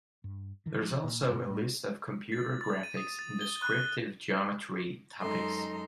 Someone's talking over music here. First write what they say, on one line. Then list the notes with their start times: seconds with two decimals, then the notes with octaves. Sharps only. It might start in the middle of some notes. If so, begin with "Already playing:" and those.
There is also a list of computer graphics and descriptive geometry topics.
0.24 G2
0.66 D3 E3
0.82 F3
1.04 A#2
1.29 G2 B2
1.50 A2
2.32 A6
2.61 A6
2.83 D#7
2.97 D#6
3.19 A6
3.41 G7
3.62 F#6
5.20 F#2 G#3 D#4 A4 A#5 C6